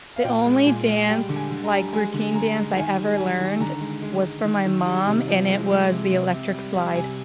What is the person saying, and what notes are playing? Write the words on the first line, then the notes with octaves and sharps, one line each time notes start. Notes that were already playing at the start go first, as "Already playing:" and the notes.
The only dance, like, routine dance I ever learned was from my mom, and it was the electric slide.
F5
A#2 G5
G#3
A#2 G#5
G#3
G3 G5
D3
G#5
D3
A#5
G3
G#3 G#5
D3
D3 A#5
G#3
D#3 G#5
G3
G3 G#5
D#3
D3 A#5
G#3
G#3
G#3
D#3
D#3
G3
C3
F3
G#3
G#3
C3
C3
C3
G3
G3
C3 G#5